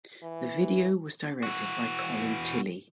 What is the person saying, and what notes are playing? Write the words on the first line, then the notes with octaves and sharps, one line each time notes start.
The video was directed by Colin Tilley.
E3
E3 F#4